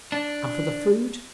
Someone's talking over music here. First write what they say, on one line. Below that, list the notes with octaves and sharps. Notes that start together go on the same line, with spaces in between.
And for the food!
D4